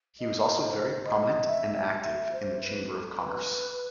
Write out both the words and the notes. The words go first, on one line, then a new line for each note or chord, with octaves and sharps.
He was also very prominent and active in the Chamber of Commerce.
D#5
C5
D#5
E5
E5
E5
C5
B4
A4
B4